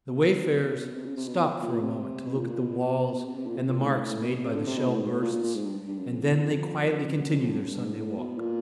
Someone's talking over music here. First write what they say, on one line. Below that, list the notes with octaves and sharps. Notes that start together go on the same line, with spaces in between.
The wayfarers stop for a moment to look at the walls and the marks made by the shell-bursts, and then they quietly continue their Sunday walk.
B2
C3
C#3
C3
B2
B2
A#2
A#2
C3
B2
A#2
A#2
B2
B2
C3
C3
A#2
C3
A#2
A2
G#2
A2
B2
C3
D3
C3
B2
A2
G#2
A2
A#2
A#2
A#2
G#2
G2
G2
F#2
F2
E2
F2
F#2
F#2
F2
F2
G2
F#2
G2
G#2
A2
B2
A#2